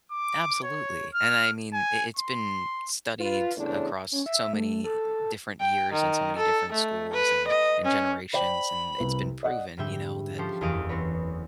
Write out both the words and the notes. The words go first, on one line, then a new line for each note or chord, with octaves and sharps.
Absolutely. And, I mean, i it's been studied across so many different years and so many different schools and and generations, and it's been proven, you know, that
D6
C#5
F6
G#5
C6
F4 B4
E2 A2 C#3 D4
C#4
E5
A3
A4
G5
D#3
A4
A3
B4
D#5
C#4
C5 D5 G5 B5
C2 B4
D5 D#5 F#5
G#2 D3 G3 E5 G5
F3 C#4 G4 A4 C5
F#1 E2 E3 D#5 F5 D7
C4 F#4 B4 C#5